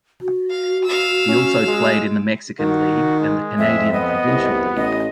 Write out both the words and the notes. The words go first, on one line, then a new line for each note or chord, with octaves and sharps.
He also played in the Mexican League, and the Canadian Provincial League.
F#4
F5
F5 E6
C#4
G#3
D#3 F#4
G#3
F2 E5
B3 D#5
C2
A1 D#5